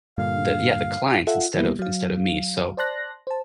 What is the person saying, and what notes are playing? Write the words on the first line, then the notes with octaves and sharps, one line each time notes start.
the yeah, the clients instead of instead of me, so
G2 A#2 D3 F5
F4 A4 E5 F#5
D#3 E3 G3 A#3 B3 E4
F#3 F5
C5 D5 A5 C6 F#6 A#6
C5 A5